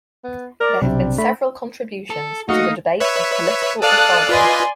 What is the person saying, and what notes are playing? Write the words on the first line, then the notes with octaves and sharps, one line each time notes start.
There have been several contributions to the debate of political authority.
B3
A#4 D5
B1 C3 G3 D4
A3 B5
A4
A3 A#3 D#4 F#4 D#5 F5 F#5
B4 C#5 E5
A4 D5 F5 A5 D#6 F#6
F4 B4 D5 D#5 G#5 C6